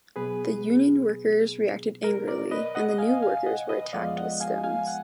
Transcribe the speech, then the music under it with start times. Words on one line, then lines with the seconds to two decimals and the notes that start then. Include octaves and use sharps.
The union workers reacted angrily, and the new workers were attacked with stones.
0.16 B2 F#3 B3 G#4 B4
2.04 A#4
2.28 A#4 D5
2.51 B4 D#5
2.75 D#5 F#5
2.98 F5 G#5
3.22 F5 G#5
3.46 D#5 F#5
3.69 B4 D#5
3.93 F2 F3 G#3 B3 D5 F5
4.17 D#5 F#5
4.40 F5 G#5
4.64 F5 G#5
4.87 F#5